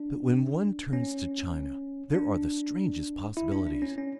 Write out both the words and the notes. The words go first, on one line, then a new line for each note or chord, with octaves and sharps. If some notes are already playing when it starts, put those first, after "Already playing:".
But when one turns to China there are the strangest possibilities.
Already playing: D4
C#4
D4
E4
D4
D4
C#4
C#4